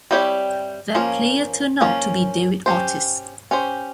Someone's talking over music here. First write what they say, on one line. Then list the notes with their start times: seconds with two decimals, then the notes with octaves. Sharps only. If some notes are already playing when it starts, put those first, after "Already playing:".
That player turned out to be David Ortiz.
0.11 G3 C4 E4 G4 C#5
0.95 F3 A#3 C#4
1.81 F3 A#3 C#4
2.66 C#4 G4 C5
3.51 C#4 G4 C5